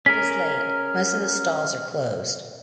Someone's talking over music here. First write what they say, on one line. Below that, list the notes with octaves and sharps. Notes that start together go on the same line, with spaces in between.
It is late; most of the stalls are closed.
C#4 G#4 A#4 F6 B6